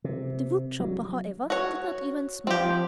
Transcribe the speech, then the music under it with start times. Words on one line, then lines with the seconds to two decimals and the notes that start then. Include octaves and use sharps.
The wood-chopper, however, did not even smile.
0.04 C3
0.80 F#3
1.50 F#4 C#5
2.47 F3 C4 G4